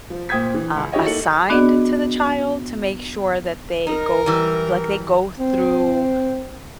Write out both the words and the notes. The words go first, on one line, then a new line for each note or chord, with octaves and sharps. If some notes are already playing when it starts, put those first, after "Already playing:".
uh, assigned to the child to make sure that they go th like, they go through,
F3
A#2 C5 G5 D#6 G#6 B6
E3
C#2
E4 F#4 G4 C#5 D#5
A#3 D#4 A4 C#7 F#7
B3 D4 F#4 G#4 D5 D#5
D#4 A#4
E3 G3
C4